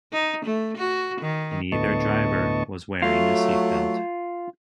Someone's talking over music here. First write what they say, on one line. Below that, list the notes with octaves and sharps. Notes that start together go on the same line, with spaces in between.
Neither driver was wearing a seatbelt.
D#4
A3
F#4
D#3
D2 A2 B3 D#5 A5 C#6
F#3 A3 F4